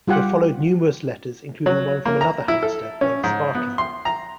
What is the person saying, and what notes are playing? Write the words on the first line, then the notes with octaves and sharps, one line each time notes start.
There followed numerous letters, including one from another hamster named Sparky.
G3 F4 G4 F#5
F#3
A#3
A#5
E4
A4
C#4
G#2
B3
C6
A#5